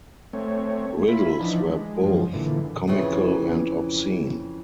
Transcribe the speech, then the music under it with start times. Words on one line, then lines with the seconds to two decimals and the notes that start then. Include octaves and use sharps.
Riddles were both comical and obscene.
0.33 A3 C4 C#5
1.08 E4 F4 B5
1.40 E3 F3 D4 D#4
1.68 G#3
2.04 F#2 F3
2.33 A#2 D3 E3
2.88 F2 C#3 E3